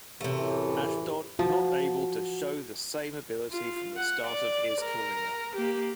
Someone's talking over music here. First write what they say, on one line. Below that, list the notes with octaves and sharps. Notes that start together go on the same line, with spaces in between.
Ashdod not able to show the same ability from the start of his career.
F#2 A2 C3 E3 A3 G4
F3 F#4
F4
F#5
D5
A#4
A#3 G4